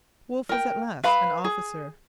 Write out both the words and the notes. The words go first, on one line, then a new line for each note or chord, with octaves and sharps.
Wolfe was at last an officer.
A#4 G5
B4 F5 B5
G#4